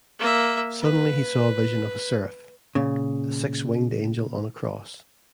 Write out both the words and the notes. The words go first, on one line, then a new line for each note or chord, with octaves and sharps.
Suddenly he saw a vision of a seraph, a six-winged angel on a cross.
A#3 E5
B4
A#2 C#3